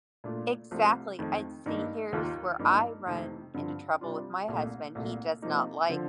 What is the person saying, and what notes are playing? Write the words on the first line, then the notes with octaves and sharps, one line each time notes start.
Exactly, I'd see, here's where I run into trouble with my husband. He does not like
A#2 A3 D4 F4
C2 C3 F3 A3
F2 D#3 A3
G2 D#3 A#3 D#4
D#2 D#3 A#3 F4
G2 F3 A#3 D#4
F2 C3 D#3 A3
G2 D3 F3
C3 G3 D4 F4
C2 A#2 A3
C2 A#2 A3
C3 F3 A#3 D#4
D3 F3